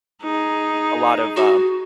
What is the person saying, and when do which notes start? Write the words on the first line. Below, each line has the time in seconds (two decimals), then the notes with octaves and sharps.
a lot of uh,
0.22 D#4 G#4
1.36 F#4